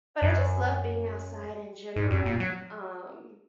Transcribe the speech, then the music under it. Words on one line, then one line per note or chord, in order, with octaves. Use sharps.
but, I just love being outside in general, um
F#2
G#2
F#2
A#2
F#3